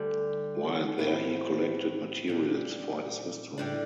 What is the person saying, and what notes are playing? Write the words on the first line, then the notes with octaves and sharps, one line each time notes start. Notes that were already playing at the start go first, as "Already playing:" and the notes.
While there he collected materials for his history.
Already playing: D2 D3 G3
A2 F3 C4 E4
A#2 G3 D4
A2 G3 D4